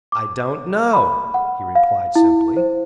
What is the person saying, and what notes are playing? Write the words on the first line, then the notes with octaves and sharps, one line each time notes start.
"I don't know," he replied simply.
D6
C#5
B5
F#5
F5
E4
C5